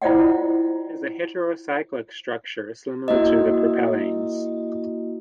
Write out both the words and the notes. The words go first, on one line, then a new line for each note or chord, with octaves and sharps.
It is a heterocyclic structure similar to the propellanes.
E4 F4 C5 D5 D#5 F#5
A#3 E4 F#4 D#5